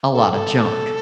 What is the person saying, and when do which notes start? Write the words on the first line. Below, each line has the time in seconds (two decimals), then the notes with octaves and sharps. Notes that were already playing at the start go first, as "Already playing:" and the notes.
a lotta junk.
0.13 A4
0.33 A4